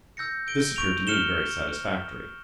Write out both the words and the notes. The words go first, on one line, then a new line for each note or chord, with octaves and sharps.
This appeared to me very satisfactory.
E6 G6 A#6 C#7
G6 D7 G7
C#6 G6 D7 F7
F6 C#7 E7 G7